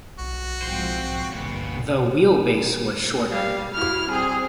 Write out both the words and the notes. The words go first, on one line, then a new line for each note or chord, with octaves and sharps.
The wheelbase was shorter.
B1 F#4
G#2 F3 C4 C5
G1 C2 A#2 B3
G3 F5
E4 F#4 F6
G3 C4 G#4